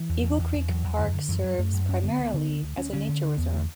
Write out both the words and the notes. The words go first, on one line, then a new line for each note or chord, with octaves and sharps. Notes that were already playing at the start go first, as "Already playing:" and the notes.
Eagle Creek Park serves primarily as a nature reserve.
Already playing: E3
E2
E2
E2
E2
E2 F#3
E2
F#2 D3
D3
F#2 E3
F#2 F#3
F#2 A3
F#2
F#2 C#4
D3 B3
D2
D3
D2
D2
D2 C#4
D3 C#4
D3
D2
E2 B3
D3 A3